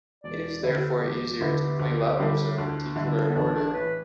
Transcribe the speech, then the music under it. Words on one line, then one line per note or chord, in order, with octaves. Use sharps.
It is therefore easier to play levels in a particular order.
E1 D5
D2 D3 B3 E4 A4
E1 G4
D2 D3 B3 E4
D2
D3 G3 E4
D2 D4
D3 G3 E4
B3
A1 D4
D4
A2 E3 B4